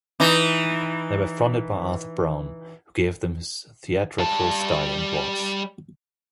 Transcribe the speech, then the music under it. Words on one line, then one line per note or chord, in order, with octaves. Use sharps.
They were fronted by Arthur Brown, who gave them his theatrical style and voice.
E3 D#4
G3 A5